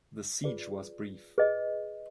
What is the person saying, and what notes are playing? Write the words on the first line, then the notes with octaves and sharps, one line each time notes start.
The siege was brief.
F4 G#4 B4 D5
G#4 B4 D#5